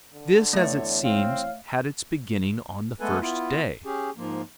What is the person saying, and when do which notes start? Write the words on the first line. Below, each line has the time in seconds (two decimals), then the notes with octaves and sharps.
This, as it seems, had its beginning on the first day.
0.14 D3
0.53 E2 A3 C#5 E5
1.03 C4 F5
3.00 G#3 A3 B3 A4 B4 G#5
3.21 B3 E4 F4
3.85 C#4 G4 G#4
4.17 G#2 F3 A#3